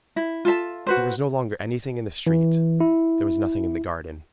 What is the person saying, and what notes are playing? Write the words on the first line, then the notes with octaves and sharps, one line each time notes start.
There was no longer anything in the street; there was nothing in the garden.
E4
F4 A4 E5 A5
F#4 B4 C5
E3
E4